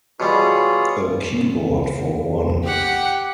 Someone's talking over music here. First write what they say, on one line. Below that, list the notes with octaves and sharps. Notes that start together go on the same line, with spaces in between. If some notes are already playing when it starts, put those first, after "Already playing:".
A keyboard for one.
B2 G3 F4 G#4 C#5
G4 F#5